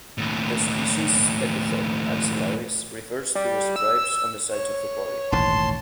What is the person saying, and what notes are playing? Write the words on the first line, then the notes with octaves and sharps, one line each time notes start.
The species epithet "axillaris" refers to the stripes on the sides of the body.
D#2 A2
G3
E6
C#5
D#1 A1 G#2 A5 C6